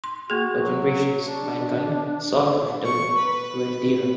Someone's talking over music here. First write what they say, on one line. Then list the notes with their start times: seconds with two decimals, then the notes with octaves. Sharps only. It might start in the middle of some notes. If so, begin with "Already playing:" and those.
For generations, mankind sought a return to Alterra.
0.04 C6
0.30 A#3 F#4 G#4
0.57 F#3
1.23 D4
2.84 C#6
3.18 B4